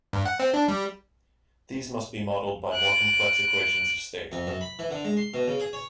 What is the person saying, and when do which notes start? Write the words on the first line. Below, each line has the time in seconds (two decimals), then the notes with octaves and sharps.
These must be modeled by more complex equations of state.
0.13 G2
0.26 F#5
0.40 C4
0.54 D4
0.68 G3
2.73 F#6 D7
4.32 F2
4.47 F#2
4.61 B5
4.79 E3
4.91 D3
5.05 G#3
5.17 C6
5.34 B2
5.48 C#3
5.60 G#4
5.73 C#5